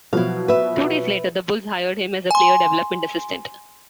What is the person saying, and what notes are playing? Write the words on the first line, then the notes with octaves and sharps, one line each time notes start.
Two days later, the Bulls hired him as a player development assistant.
B2 F3 F#3 E4 F5
B4 E5
G#5 C6